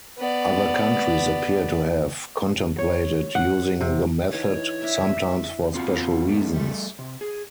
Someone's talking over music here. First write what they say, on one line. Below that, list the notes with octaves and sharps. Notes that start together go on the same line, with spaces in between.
Other countries appear to have contemplated using the method, sometimes for special reasons.
B3 D5
C#5
F#5
C3
E3 D#4 C#5 F5
D4 E4 A#4 E5
C4 F4 F#4
G#2 B2 D#3 A3
G3 A3
C3
G#4